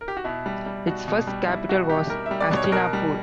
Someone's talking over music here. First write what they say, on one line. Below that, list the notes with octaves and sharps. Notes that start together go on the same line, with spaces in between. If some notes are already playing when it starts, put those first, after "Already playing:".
Its first capital was Hastinapur.
A#4
G4
F#4
B2 E4
G3
G3
B2 F#4
B2
G3
G3 E4
B2 F#4
B2 G4
G3 A#4
E5
G3
D5
B2
C#5
B2 A#4
G3